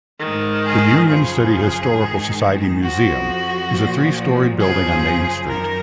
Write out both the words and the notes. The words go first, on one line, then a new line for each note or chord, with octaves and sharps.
The Union City Historical Society Museum is a three story building on Main Street.
G#2 D#3
G#4
F#2 C#3 F3 G#4
G#2 D#3
F2 F3 F#4
A#2 F3
F#2 C#3 F3 G#4
F#2 D#3 A#4